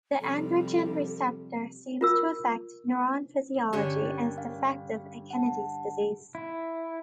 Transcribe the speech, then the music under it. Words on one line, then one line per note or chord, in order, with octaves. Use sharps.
The androgen receptor seems to affect neuron physiology and is defective in Kennedy's disease.
C3 F3 G3 A4
F4 A#4 E6
G2 D3 C#4 G4 C#5
A#4 A6
F5
F#5 A5
E4